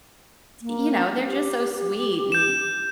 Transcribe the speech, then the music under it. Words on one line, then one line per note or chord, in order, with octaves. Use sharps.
t you know, they're just so sweet, and,
A#3
G4
G6 E7